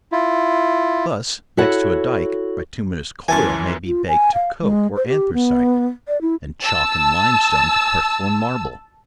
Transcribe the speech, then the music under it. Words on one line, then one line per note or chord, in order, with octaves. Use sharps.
Thus, next to a dike, bituminous coal may be baked to coke or anthracite, and chalk and limestone to crystalline marble.
E4 F4
E4 F#4 A4 C#5 F#5
F#2 E3 G#5 A5 C#6
F4
G#5
F5
G#3
C5
G4
B3
D5
E4
A5 E6